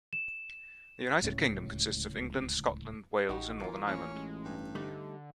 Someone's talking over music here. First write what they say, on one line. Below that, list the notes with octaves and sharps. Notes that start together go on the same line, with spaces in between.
The United Kingdom consists of England, Scotland, Wales and Northern Ireland.
E7
D1 C#2 A2 C#4
A1 D#4 F#4 G4
E3 A#3 F4
A1 A#3 C#4
G#3
G2
D3 G3 A3 D#4